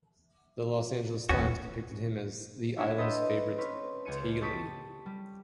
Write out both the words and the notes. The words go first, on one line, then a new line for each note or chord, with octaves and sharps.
"The Los Angeles Times" depicted him as "the island's favorite 'tailie'".
D#1 E2 B3 C#4 F#4
D4 E4 F#4 C#5 E5 G#5
A4 B4 C5 D#5 D#6 G6
C4 C#4 B4
C#2 G#5 C#7 D#7
G4 A5 C#6 D#6 B6 D7
G3